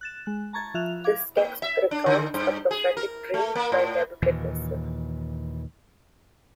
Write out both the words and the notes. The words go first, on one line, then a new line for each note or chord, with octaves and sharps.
This text recounts a prophetic dream by Nebuchadnezzar.
F#6 A6 E7
G#3 F#6
A5 A#5 C#6 G#6 A6
F3 F4 E5 F#6 F7
F5 D6 G#6
A#3
E5
D4
D3
G2
G#4
A#4
A3
A#3
A2
D#2 A#2 E3